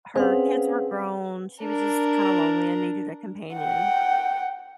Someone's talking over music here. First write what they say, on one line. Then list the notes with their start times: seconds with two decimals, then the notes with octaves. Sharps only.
her kids were grown, she was just kinda lonely and needed a companion.
0.16 C4 C#4 G#4 B4 F5 F#5
1.62 D4 A#4
3.57 F#5 G5